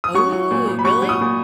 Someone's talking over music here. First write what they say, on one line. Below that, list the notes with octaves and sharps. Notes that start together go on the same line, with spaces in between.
Ooh, really?
D#6
F#3 C#6
F#3
A#2
A#2
B5
F#3 C#6
F#3
D#6
A#2